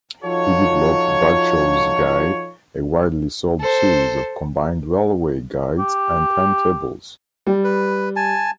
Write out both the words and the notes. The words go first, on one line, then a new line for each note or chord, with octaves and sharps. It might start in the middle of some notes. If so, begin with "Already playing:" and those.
He developed Bradshaw's Guide, a widely sold series of combined railway guides and timetables.
F3 D#4 F4 F#4 A4 C#5
A4 C5
G4
G3
B4
G#5 A5